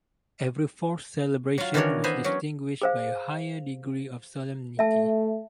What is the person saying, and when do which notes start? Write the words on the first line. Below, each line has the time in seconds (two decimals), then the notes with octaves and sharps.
Every fourth celebration was distinguished by a higher degree of solemnity.
1.58 F#3 F4
1.74 D#3 E3 C#4 D4 A#4 C#5
2.04 B3 C5 E5 G#5 A#5
2.24 F#3 C#4
2.82 G#4 C5 F5
4.79 A3 E5 A5